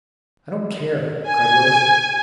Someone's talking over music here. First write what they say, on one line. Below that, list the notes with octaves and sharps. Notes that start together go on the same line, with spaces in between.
"I don't care!" cried Willis.
G#5